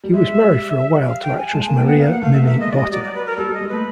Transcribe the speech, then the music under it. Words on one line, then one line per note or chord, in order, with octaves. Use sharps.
He was married for a while to actress Maria "Mimi" Botta.
G3
G#3 E5
G#3
G3
F5
G5
G#5
G#3 A5
A#3 G#5
G5
B3 F#5
A#3 F5
F#5
A3 F5
E5
B3
A#3 E5
G#3 D#5
D5
G3 D#5
F#3 D5
D5
B4
A#4
G3 A4
G3 D#5
G#3
A3 B4